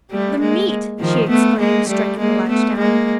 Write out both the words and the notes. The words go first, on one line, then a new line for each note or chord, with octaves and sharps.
"The meat!" she exclaimed, striking the latch down.
G3 A3
G#3 A#3
D#3 F3
A3 B3
G#3 A#3
G3 A3
G#3 A#3
A3 B3
G#3 A#3